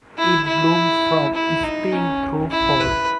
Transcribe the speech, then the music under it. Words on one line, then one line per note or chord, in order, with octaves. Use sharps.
It blooms from spring through fall.
E4
E4
E4
D#4
C#4
E4
B4